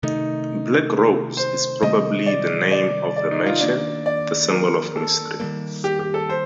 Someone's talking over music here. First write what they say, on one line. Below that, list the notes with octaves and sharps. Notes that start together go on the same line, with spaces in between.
"Black Rose" is probably the name of the mansion, the symbol of mystery.
C3 D#3 A3 D#4
C5
C3 D#3 G3 C4 D#5
D5
D5
D5
D#4
F4
D#3 A#3 D4 D5
D5
A#4
A4
D#3 G3 A#3
G4
G4
A4
C5